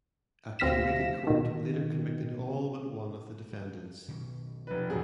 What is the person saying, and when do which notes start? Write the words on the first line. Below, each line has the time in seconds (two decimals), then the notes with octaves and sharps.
A Kuwaiti court later convicted all but one of the defendants.
0.59 D2 C3 F5 A#6 B6 E7
1.27 B2 D#3
4.08 B2 D#3 F#3
4.67 F1 B4
4.90 E1 F#3 C4 G#4